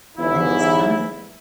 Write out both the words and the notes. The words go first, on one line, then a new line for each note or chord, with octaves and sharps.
be just kin
G1 E2 G#2 E4